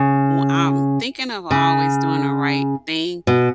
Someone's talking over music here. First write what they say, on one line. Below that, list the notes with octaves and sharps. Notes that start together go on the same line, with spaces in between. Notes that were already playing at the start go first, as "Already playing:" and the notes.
w I'm thinking of always doing the right thing,
Already playing: C#3
C#3
B2